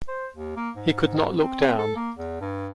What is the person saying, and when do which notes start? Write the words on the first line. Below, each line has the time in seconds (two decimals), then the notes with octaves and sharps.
He could not look down.
0.08 C5
0.35 D#2
0.56 A#3
0.76 G#2
1.03 G#2
1.41 C4
1.78 A4
1.96 A#3
2.16 E2
2.41 G2